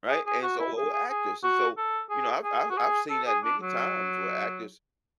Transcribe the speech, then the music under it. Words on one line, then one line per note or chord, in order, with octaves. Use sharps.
right, and so o or actors, and so, you know, I've I've I've seen that many times where actors,
G#4
G#4
F#4
E4
G#4
G#4
G#4
F#4
A4
G#4
G#4
F#4
G#4
A4
G#4
D4
F#3